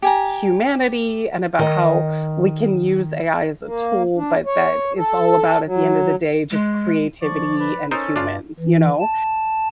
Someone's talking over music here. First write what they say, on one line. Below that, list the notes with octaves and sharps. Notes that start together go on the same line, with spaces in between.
humanity and about how we can use AI as a tool, but that it's all about, at the end of the day, just creativity and humans, you know,
G4 G#5 A#5
D#3 D#5
A#3
D4
C#5
A4
F#3
G#3
F3 D5 C#6
B4
C#4 D#4 A4 A#4 C5
G2 D4 F4 D5
E3
A5